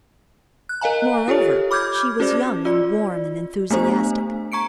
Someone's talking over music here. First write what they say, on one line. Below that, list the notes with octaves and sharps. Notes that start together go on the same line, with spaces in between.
Moreover she was young and warm and enthusiastic.
F#6
A#4 D#5 F5 G#5 A#5
F4 G4 A4 C#5
B5 D6 F6 G6 G#6
C#4 F#4 G#4 C5 D5
F4 D5
A3 B3 D4 C5
A#5 C#6 C#7 D7